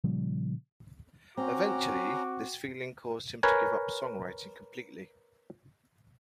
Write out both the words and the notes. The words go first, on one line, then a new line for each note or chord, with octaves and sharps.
Eventually this feeling caused him to give up song-writing completely.
A#2 C#3 F3 G3
C4 C#4 F#4 A#5 D6
A#4 B4 C#5 G#5